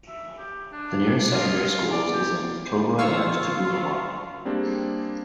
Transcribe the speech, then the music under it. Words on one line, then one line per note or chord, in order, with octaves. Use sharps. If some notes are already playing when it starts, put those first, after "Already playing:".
The nearest secondary schools is in Kilcoy and Toogoolawah.
E5
G4
D4
D6
F4
D5
G4
F4 F5 C#6 E6
G3 A#3 C4 D4 G#4